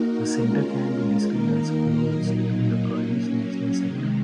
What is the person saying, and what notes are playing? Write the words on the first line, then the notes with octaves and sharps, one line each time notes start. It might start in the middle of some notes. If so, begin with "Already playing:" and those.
The center can be described as close to the Kurdish National Center.
Already playing: A#3 D#4 F#4 A#4
G#3 C#4 F4 A#4
D#3 A#3 D#4 A#4
A#2 F#3 A#3 D#4
F#3 A#3 C#4
C3 D#3 G#3